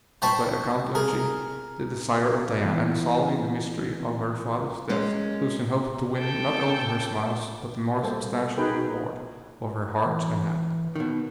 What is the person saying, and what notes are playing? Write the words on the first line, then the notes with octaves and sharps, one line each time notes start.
But by accomplishing the desire of Diana, and solving the mystery of her father's death, Lucian hoped to win not only her smiles but the more substantial reward of her heart and hand.
C5 G5 A5 B5 C#6
G#4 A#4
E3 B3
G#3 C#4 A#4
A4 G5
G3 A#3 A4 C5
D#4 G#4 A#4 B4 G5
E3
B2 D#3